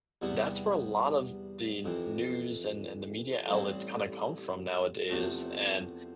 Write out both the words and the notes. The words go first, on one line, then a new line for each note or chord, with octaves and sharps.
that's where a lot of the news and and the media outlets kinda come from nowadays, and
E2 C3 G3 B3 E4
F2 C3 E3
A1 A2 G3 C4 E4
E2 C3 F3 A3 C4